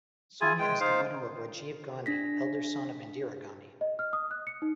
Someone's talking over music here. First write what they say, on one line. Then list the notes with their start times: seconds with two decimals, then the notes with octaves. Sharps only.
Sonia is the widow of Rajiv Gandhi, elder son of Indira Gandhi.
0.41 E4 F4 G#4 G#5
0.59 G#3 G5
0.80 D#4 C5 F5
2.06 D4 A#6 B6
3.81 D#5
3.99 F6
4.13 D#6
4.31 F#6
4.47 C#7
4.62 D#4